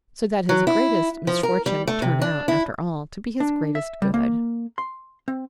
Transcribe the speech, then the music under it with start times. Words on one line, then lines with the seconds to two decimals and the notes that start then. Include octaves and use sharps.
So that his greatest misfortune turned out, after all, to be his greatest good.
0.49 F#3
0.67 E4
1.27 F3
1.43 A#4
1.66 G3
1.87 A3
2.02 C3
2.21 D4
2.48 E4
3.40 D4
3.75 E5
4.02 G3
4.14 A#3
4.78 C6
5.28 C4